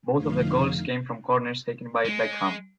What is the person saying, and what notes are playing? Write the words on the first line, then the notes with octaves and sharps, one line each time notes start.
Both of the goals came from corners taken by Beckham.
F2 D3 F3 A3 D#4 F5
G#3